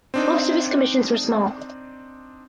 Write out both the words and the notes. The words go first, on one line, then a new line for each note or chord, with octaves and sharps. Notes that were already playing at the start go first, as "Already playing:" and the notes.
Most of his commissions were small.
C4 D4 D#4